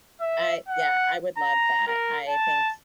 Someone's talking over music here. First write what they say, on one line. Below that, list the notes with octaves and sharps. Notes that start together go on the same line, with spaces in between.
uh, yeah, I would love that. I think,
E5
F#5
A#5
A#4
A5